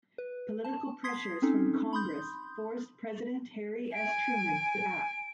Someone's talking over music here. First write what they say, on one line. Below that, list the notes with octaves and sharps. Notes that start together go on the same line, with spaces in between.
Political pressures from Congress forced President Harry S. Truman to act.
B4
A5
C6 D#6 G#6 B6 C7
C4 C#4 D#4 A4
B5 C6 D#6 G6
G#5 D7